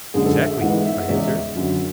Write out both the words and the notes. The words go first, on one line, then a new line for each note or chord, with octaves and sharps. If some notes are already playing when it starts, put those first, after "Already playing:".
"Exactly," I answered.
F#2 D3 G#3 G#4
A4
E5
E5
G#2 E3 G#3 B3 F#5
E5
E2 C#3 G#3 C#4 E5
F#2 D3 F#3